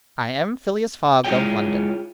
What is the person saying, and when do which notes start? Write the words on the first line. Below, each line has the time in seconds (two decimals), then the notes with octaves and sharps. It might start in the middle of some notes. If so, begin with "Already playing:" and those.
"I am Phileas Fogg, of London."
1.24 G#3 E4 F4 G#4 C#5 G5